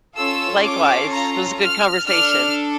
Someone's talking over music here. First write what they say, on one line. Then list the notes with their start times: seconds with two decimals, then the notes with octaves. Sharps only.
Likewise. It was a good conversation.
0.16 C#4 F4 A4 E6
0.64 D6
1.13 A#5
1.60 F6
2.07 D4 A4 F6